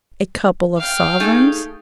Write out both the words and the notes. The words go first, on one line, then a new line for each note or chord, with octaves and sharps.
'A couple of sovereigns.'
F5 G5
A3 D#4 G#4